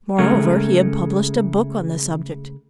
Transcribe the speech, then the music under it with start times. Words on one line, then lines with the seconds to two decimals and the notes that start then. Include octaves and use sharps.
Moreover, he had published a book on the subject.
0.18 C#3 G#3 A3 A#4